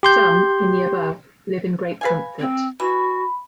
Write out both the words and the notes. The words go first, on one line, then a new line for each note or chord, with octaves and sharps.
Some - in the Above - live in great comfort.
G4 C6 G6
B4 F5 G#5
C4
E3 F#4 B5